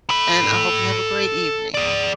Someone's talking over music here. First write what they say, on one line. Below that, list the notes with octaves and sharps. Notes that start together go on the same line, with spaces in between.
and I hope you have a great evening.
A4 B5
G#4 D5